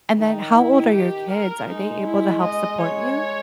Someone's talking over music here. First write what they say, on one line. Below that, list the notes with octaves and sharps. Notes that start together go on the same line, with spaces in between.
and then how old are your kids? Are they able to help support you?
D#3 D#4
E4
G4
A#4
G#3 D#4
E4
D#5
C#5